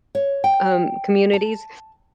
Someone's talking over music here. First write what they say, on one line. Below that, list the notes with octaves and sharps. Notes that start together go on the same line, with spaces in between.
um, communities,
C#5
G5
A5